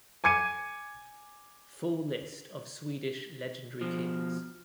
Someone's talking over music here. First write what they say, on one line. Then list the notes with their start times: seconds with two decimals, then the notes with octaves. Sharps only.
Full list of Swedish legendary kings.
0.24 G#5 D6 G#6 C#7 D#7
3.81 B2 F3